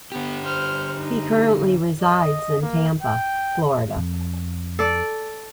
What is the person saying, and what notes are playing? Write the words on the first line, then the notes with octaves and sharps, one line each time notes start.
He currently resides in Tampa, Florida.
D3 B3 G4
C5 F6
D#4
D#5
A#3
G5
F2
A4 D5